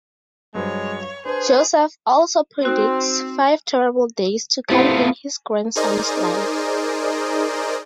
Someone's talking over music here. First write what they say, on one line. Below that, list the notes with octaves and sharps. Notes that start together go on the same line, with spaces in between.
Josef also predicts five terrible days to come in his grandson's life.
G2 F#3 G#3 C5 C#5
D4 G#4 B4 C5
C4 D#4 F#4 C5
A3 B3 C4 E4 F4 G4 C5
D#4 G#4 A#4 C5 D5 D#5